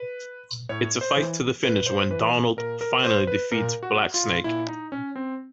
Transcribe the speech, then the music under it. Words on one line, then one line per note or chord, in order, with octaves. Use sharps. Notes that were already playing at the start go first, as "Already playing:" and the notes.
It's a fight to the finish when Donald finally defeats Blacksnake.
Already playing: B4
A2 C#5
C5
E3
A2 B4
C5
E3 B4
A#2 A#4
A#4
C5
B4
A#2 A#4
F#4
F4
A#2 E4
D#4
C#4
C4